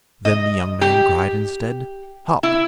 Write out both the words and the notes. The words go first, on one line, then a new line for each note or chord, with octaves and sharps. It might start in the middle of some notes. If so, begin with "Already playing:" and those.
Then the young man cried instead, 'Hop!
D#5
G4
E4